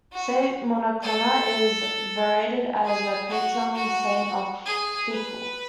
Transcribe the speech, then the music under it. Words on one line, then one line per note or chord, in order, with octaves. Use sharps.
Saint Mochonna is venerated as the patron saint of Feakle.
F#4
A4
G#4
F#4
F#4
G#4
B4